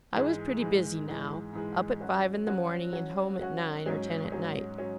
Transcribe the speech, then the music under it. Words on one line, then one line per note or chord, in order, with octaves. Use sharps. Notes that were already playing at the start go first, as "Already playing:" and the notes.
I was pretty busy now; up at five in the morning, and home at nine or ten at night.
G#2 E3 G#3
G#2 E3 G#3
G#2 E3 G#3
G#2 E3 G#3
F#3 C#4 F#4
F#3 C#4 F#4
F#3 C#4 F#4
F#3 C#4 F#4
G#2 F#3 C#4
G#2 F#3 C#4
F#3 C#4